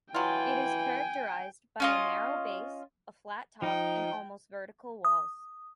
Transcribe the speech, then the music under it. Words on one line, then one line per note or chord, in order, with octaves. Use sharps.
It is characterized by a narrow base, a flat top and almost vertical walls.
E3 F#3 F4 G5 G#5
C#4 F4 D#5
F3 D#4 G5
D#6